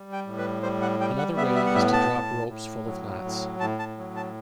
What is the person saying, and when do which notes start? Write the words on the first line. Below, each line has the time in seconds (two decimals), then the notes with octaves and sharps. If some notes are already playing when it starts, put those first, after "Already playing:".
Another way is to drop ropes full of knots.
Already playing: G3
0.13 G5
0.26 A2
0.38 B4
0.63 G3 C5
0.82 F#5
1.00 G3 G5
1.18 F#5
1.37 B3 E5
1.56 E5
1.66 F#5
1.74 A2 E5
1.93 A5
2.12 A2
2.49 A2
2.86 F#3
3.23 A2
3.60 A2 A5
3.79 A5
3.98 F#3
4.16 A5